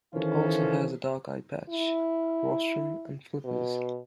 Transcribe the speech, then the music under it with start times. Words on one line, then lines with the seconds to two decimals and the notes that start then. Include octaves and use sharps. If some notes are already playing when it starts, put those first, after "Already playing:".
It also has a dark eye patch, rostrum, and flippers.
0.15 D#3 E3 C#4 F4 A4 C5
1.69 E4
3.45 B2